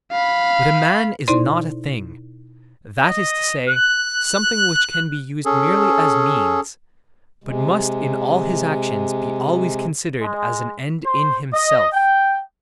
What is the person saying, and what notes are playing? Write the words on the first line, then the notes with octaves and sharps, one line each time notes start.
But a man is not a thing, that is to say, something which can be used merely as means, but must in all his actions be always considered as an end in himself.
F5 B5
B2 D#4 E4 C5 D5 C6
D#5
F#6
C#4 G#4 A4
C3 G#3
G#3
C5
D#5
G5